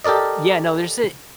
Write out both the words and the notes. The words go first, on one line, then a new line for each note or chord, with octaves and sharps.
Yeah, no, there's a
G4 A4 A#4 D5 D#5